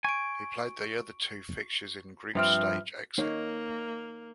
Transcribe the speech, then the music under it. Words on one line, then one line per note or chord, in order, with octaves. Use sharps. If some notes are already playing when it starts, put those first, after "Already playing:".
He played the other two fixtures in a group stage exit.
G#5 C#6 D7
G2 F3 C4 B4 E5 F6
A#3 D#4 C#5